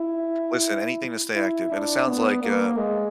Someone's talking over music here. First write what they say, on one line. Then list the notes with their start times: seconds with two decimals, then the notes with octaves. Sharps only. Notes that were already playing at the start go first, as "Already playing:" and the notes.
listen, anything to stay active, and it sounds like, uh
Already playing: E4
1.36 E4
1.72 D4
2.07 B3
2.42 A#3
2.77 G#3